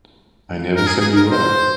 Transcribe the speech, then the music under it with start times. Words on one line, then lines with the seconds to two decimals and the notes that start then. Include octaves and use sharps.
I never said you were.
0.77 A#4
0.87 G#4
1.01 G#4
1.16 A#4
1.31 C5